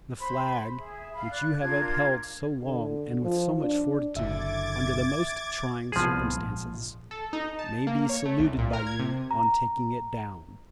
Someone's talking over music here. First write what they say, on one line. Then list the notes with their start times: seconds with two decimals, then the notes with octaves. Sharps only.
The flag which you have upheld so long and with so much fortitude, under the most trying circumstances, may be saluted by you on taking it down.
0.19 C5 B5 C6
0.76 G#4 E5
1.14 F5 B5
1.30 D5 F#6
1.61 D4 F4 A#4 G#6
2.62 D3
3.24 F3
3.60 D4
4.16 F#1 D3 E5 D6 G#6 A6
5.92 C2 F3 B3 G#4
6.36 A#1 G#2
7.11 A4
7.33 D#4
7.59 A5
7.87 A#3
8.09 C#5
8.25 A3
8.39 C2
8.59 A#2
8.73 A#4
8.87 G#6
8.99 C3
9.31 A#5